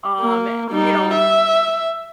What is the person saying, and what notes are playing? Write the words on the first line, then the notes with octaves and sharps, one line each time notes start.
um, you know,
A#3
G3 D#4
E5